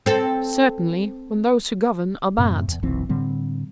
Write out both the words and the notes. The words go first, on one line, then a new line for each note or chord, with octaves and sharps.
"Certainly, when those who govern are bad."
C4 A4
F#2 A2 C3
E2
F1 B1 E3 C4
A2 D3 G3 C4